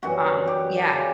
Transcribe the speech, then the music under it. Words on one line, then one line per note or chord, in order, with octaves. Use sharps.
um yeah.
F#2 E3 G3 F#4
G4
C#3 G3